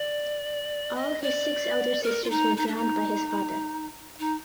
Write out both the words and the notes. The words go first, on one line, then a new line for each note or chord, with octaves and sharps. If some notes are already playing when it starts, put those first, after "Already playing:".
All his six elder sisters were drowned by his father.
Already playing: D5
D#5
D5
A#4
F4
D#4
D#4
D4
D#4
D#4